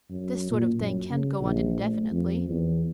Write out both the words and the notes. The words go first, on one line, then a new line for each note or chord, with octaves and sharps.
This sort of thing can't go on indefinitely.
F#2
A#2
F#2
C#3
A#1
A3
F2
E2